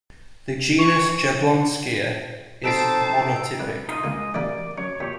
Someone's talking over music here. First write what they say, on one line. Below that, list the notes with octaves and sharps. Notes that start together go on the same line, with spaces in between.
The genus Jablonskia is monotypic.
C#6
C4 D#4 A4 A5 C7 D7 E7
C2 B4
D#4 F4 D#5
C#2 G#3 A#3 D#5
A1 G3 A#3 D5
F#2 C#5
A#2 G4 C#5